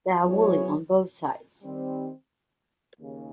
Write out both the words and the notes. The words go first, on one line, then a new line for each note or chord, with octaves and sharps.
They are wooly on both sides.
F#3 B3 E4 G#4 C#5
D#3 G3 C4
D#2 C#3